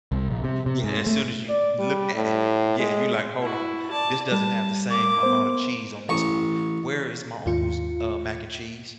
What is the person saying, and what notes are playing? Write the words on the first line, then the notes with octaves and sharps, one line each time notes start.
Yeah, as soon as you looked at it Yeah, you're like, "Hold on, this doesn't have the same amount of cheese on this one. Where is my uncle's m uh, mac and cheese?"
C2
A#1
C3
C3
G#2
A3
D5
G3
A2
G#3
E4 F#4
D5 A5
G3 A5
A#3 D6
B3 C5
A1 C#6
D#2 G#2 F4 C#7